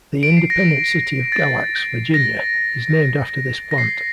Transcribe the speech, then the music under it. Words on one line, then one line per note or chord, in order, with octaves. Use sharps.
The independent city of Galax, Virginia, is named after this plant.
D7
C7
A#6
A6
A#6
A#6
C7